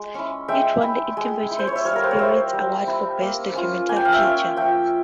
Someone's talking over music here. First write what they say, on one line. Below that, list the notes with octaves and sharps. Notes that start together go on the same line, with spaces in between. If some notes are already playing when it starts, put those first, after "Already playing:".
It won the Independent Spirit Award for Best Documentary Feature.
Already playing: G#3
C#4 E4
G#3 E5 G5
E4
G#3
E4
C5
C#5
E5
G3 C#5 F5
A#4
C5
C#5
C4 E4 C5 E5
G3
C4 E4
A#3
C#4 F4
A#3 G#5
G5
F5
E5 G5
C#4 F4
F3 E5 G5